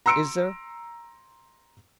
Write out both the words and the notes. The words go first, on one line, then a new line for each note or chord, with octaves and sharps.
Is there?
A#5 C6 E6 C#7 D7